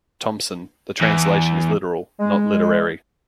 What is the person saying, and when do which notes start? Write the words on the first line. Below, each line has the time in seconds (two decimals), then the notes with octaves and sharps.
Thomson; the translation is literal, not literary.
1.01 E2
2.19 G#3